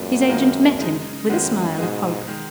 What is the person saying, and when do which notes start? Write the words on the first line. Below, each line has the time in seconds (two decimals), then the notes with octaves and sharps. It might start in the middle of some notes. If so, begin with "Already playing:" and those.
His agent met him with a smile of hope.
Already playing: F#2 A#2 G#3 B3
0.29 D#3 G#3 B3 F4 A#4
0.79 C#3 G#3 D#4
1.29 F#2 D#3 G#3 B3 F#4
1.77 G#2 B2 G#3 D#4
2.27 D#3 G#3